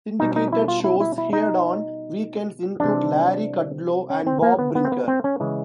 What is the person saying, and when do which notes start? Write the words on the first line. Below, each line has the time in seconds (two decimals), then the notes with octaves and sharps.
Syndicated shows heard on weekends include Larry Kudlow and Bob Brinker.
0.20 B2 G3 D#4
0.36 D#4
0.52 E4
0.68 F4
0.84 E4
1.00 E4
1.18 E4
1.33 D#4
2.80 C3 E3 G3 D4
4.10 C#4
4.27 C4
4.42 A#3
4.59 B3
4.75 B3
4.85 C4
4.92 B3
5.08 C4
5.24 C#4
5.40 C#3 E3 G#3